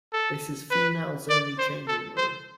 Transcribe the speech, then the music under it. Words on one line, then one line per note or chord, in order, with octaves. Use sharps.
This is females only changing room.
A4
B4
D5
C5
A4
C5